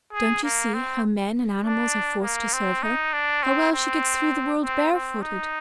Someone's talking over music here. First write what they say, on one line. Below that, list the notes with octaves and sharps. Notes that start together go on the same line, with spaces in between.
Don't you see how men and animals are forced to serve her; how well she gets through the world barefooted?
G#4
A#3
C4
D4
A#3
C4
D#4
D4
C4
C4
C4
C4
D#4